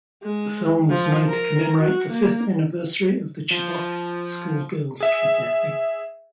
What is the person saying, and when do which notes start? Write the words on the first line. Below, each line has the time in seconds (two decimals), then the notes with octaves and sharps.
The film was made to commemorate the fifth anniversary of the Chibok schoolgirls kidnapping.
0.23 G#3
0.90 F3
1.27 A#4
1.81 F#4
2.12 A#3
3.51 F3
5.00 G#4 E5